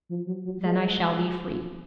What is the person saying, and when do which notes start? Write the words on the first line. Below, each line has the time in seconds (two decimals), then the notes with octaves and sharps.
'Then I shall be free.'
0.09 F3
0.27 F#3
0.45 F#3
0.63 G#3